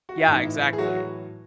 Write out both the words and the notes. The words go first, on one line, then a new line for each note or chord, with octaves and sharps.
Yeah, exactly.
F#4
E4
A2 E3 D#4
E4
E4
G#4
F#3 F#4